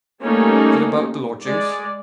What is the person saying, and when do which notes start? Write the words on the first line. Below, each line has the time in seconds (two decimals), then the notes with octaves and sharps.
"Is it about the lodgings?"
0.23 G3 A3 A#3 C#4 D#4
1.43 G#3 D5